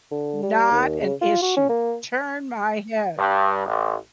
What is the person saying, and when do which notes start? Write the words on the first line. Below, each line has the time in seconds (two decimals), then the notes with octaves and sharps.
Not an issue. Turn my head.
0.11 D3
0.43 G3
0.71 D#2
1.01 C#3
1.22 F4
1.42 F#4
1.57 C#4
1.69 A#3
3.18 G2
3.66 A1